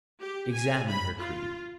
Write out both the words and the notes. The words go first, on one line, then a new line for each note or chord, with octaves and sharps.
Examine her creed.
G4
G#5
B5
F4